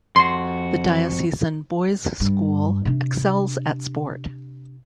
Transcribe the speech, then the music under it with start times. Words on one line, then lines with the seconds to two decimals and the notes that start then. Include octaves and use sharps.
The Diocesan Boys' School excels at sport.
0.16 F2 F#4 C6
2.20 G2
2.85 C3 D4